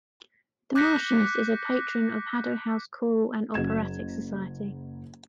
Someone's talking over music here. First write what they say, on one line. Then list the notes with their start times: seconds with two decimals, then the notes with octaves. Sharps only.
The Marchioness is a patron of Haddo House Choral and Operatic Society.
0.75 D6 F#6 G6 A#6 B6 C#7
3.54 F#1 F#3 G#6 E7